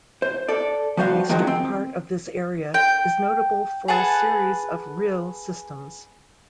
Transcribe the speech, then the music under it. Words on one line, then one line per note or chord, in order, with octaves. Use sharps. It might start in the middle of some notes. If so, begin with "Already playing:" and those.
The eastern part of this area is notable for a series of rille systems.
C5
A4 D5
F3 G3 F#4 C5 F5
D#3 F3 F#3 G#3 A#3
C4
G5
G#4 B4 F#5 A5